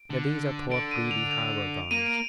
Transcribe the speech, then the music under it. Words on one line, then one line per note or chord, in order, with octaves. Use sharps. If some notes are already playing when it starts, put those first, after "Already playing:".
Now these are Port Breedy Harbor bonds.
Already playing: D7
D3
D3 D7
D#7
F7
F7
A#3 D#7
D7